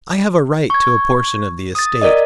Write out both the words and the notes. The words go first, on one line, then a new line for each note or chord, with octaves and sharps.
"I have a right to a portion of the estate."
C#6 G#6
D#6 A6
A#4 D5 D#5